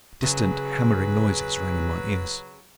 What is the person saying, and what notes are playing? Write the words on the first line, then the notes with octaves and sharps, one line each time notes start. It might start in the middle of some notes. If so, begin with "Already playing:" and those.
Distant hammering noises rang in my ears.
C#3 F#3 G#4 B4